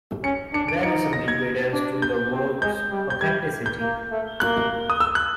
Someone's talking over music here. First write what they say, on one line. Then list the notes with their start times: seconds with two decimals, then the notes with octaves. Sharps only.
There is some debate as to the work's authenticity.
0.24 C#4 C#7
0.54 D4 C#7
0.68 D7
0.83 D#4 C#7
1.13 A#6
1.28 G#6
1.73 D4
2.02 G6
2.32 C4
2.62 G#3 G6
2.91 G3
3.10 G6
3.21 G3 G#6
3.66 G6
3.81 A#3
4.11 A3
4.40 A#3 F#6
4.90 D#6
5.00 E6
5.15 F#6